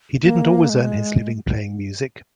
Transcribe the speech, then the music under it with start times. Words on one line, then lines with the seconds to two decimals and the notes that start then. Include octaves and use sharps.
He didn't always earn his living playing music.
0.23 A#3
0.69 G#3